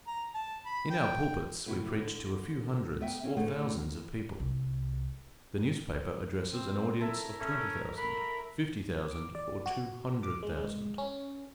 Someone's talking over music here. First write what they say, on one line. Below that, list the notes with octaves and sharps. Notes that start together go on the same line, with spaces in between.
In our pulpits we preach to a few hundreds or thousands of people; the newspaper addresses an audience of twenty thousand, fifty thousand, or two hundred thousand.
A#5
A5
B5
G5
A2 C3 E4 F#4
D3
A3 B3 D#5 E5 G5
C4 C#4
D2 A2 D3 A3 G#4 F#5
C2
C4
E4 A4 A#4 E5
A3 C#4 E5
A#4 B5
D6
D5
F#4
D6
G#3
G#3
C#4